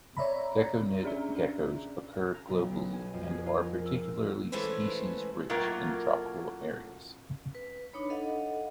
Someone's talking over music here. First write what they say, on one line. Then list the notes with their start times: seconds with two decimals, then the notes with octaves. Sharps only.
Gekkonid geckos occur globally and are particularly species-rich in tropical areas.
0.17 C#5 D5 E5 A#5 B5
1.03 C#4 D4 G#4 D5 E5 A#5
2.34 A#5
2.48 B1
2.71 B1
2.93 G#5
3.14 F2
3.31 G#4
3.46 F4
3.64 A#4
3.86 E6
4.52 E3 G#3 A3 C#4 B4 C5
5.50 A2 F#3 A#3 F4 A#4
7.55 B4
7.93 D4 D#4 C#5 B5
8.10 A4 D#5 F5 F#5